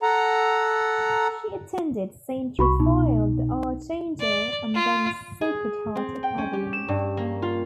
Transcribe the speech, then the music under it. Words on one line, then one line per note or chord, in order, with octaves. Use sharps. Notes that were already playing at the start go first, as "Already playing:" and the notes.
She attended Saint Raphael the Archangel and then Sacred Heart Academy.
A4 F#5 A#5
C2 F#4 B5 C#6
B2 D#4
D5
F4
G#4
C4
G5
C#4
G4
E7
G2
A#3
F4